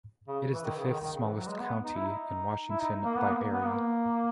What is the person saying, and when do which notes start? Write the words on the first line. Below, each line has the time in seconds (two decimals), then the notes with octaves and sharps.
It is the fifth-smallest county in Washington by area.
0.28 C#3
0.53 E3
0.64 D#3
0.76 C#3
0.88 D#3
1.00 D#3
1.13 C#3
1.24 E3
1.37 F#3
1.48 G#3
1.60 B3
1.84 D#4
1.96 E4
2.08 D#4
2.68 E4
2.80 D#4
3.04 A#3
3.16 B3
3.28 A#3
3.52 B3
3.64 A#3